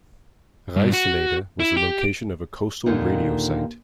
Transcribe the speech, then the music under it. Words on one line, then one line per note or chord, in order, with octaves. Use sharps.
Ruiselede was the location of a coastal radio site.
G2
F#4
E4
G4
D#2 A#2 D3 D#3